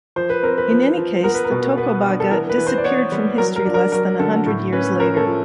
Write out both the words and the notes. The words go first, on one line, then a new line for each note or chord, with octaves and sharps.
In any case, the Tocobaga disappeared from history less than a hundred years later.
F3 C5
B4
C4 A#4
B4
F3
F3
B3 A#4
B4
A#4
B2
B3 B4
D4
A4
E3 A#4
B4
E3
C5
D5
B3 C#5
G3
F#3 A#4
A#4
D4
A#4
F#3 A#4
D3 A4
A2
C#4 B4
C#4 A#4
A4
F3